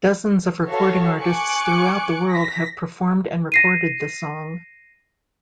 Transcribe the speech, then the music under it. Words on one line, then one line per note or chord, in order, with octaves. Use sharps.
Dozens of recording artists throughout the world have performed and recorded the song.
F#4 A4 C#5 E5 F5
G#5 C#6 D6 F#6 C#7 D7
A#6 B6
A#6 C7 D#7